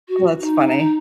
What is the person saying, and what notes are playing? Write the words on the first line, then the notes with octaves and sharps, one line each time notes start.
Oh, that's funny.
F#4
D#4
D#4